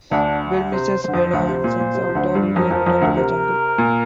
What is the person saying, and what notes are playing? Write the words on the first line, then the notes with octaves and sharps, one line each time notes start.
Bel misses Weda and sends out a video letter to the jungle.
D2 D3 D4
C3 C5
D3 C5
F2 F3
D2 D3 C5
C3
A#2
A#2
C3
F3
D2 D3
G2 G3
F2 F3 A#4
F2 F3
F2 F3
D2 D3
C3 A#4
A#2